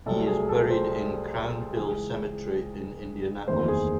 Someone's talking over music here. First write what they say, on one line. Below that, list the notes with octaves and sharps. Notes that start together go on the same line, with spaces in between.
He is buried in Crown Hill Cemetery in Indianapolis.
C2 C3 F#3 A3 A4
G#4
A4
C5
C#2 C#3 E3 G#4
F#1 E2 D#3 A3 C5
G#4